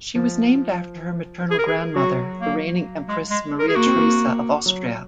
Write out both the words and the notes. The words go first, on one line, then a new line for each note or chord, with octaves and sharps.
She was named after her maternal grandmother, the reigning Empress Maria Theresa of Austria.
F3
G#4
A#4
G#4
F#3 F#4
A#3
G#3
G#3
A#4
G#4
A#3 F#4
C4
A#3
F#3